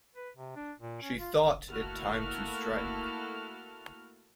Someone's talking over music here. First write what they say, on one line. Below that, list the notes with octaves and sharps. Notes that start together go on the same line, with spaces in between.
She thought it time to strike.
B4
C3
D4
A#2
C#4
F4
A3 A#3 E4 F#4 A4 F6